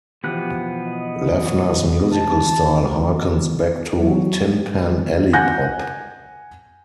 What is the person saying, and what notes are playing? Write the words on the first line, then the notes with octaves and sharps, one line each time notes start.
Lavner's musical style harkens back to Tin Pan Alley pop.
B2 E3 F3 B3 G4 F#6
D#5
A5
F#3
F#5 G#5 F#6 G6 A#6